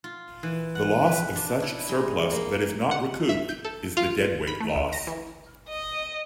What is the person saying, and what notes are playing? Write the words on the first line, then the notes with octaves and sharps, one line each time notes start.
The loss of such surplus that is not recouped, is the deadweight loss.
F4
E3
F#5
B4
D4
E4
G#3
A#3
F#5
E5
G6
A4
F4
B5
A3
D2
A#5
E3
D#5